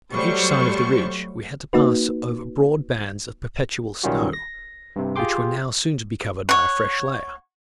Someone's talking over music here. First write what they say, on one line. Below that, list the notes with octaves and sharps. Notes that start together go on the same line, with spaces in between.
On each side of the ridge, we had to pass over broad bands of perpetual snow, which were now soon to be covered by a fresh layer.
F#3 G3 A3 C5 C#6
A#3 D#4 F#4 B4
B1 D#3 G3 C#4 F4 F#4
A#6
G2 C3
F4 G4 G#4 G5 C6 D6
C#5 F#5